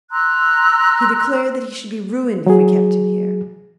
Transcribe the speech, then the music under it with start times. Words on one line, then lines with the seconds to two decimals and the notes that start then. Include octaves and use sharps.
He declared that he should be ruined if we kept him here.
0.11 A#5 C6 E6 F#6
2.46 F#3 G#4